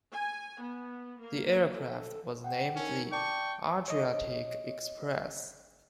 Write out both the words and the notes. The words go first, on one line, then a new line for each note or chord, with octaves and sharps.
The aircraft was named the "Adriatic Express".
G#5
B3
A#3
A4
F#5 G5
C#4 D#4 A#4
D5 G5 A5 C#6 D6
C#5 D#5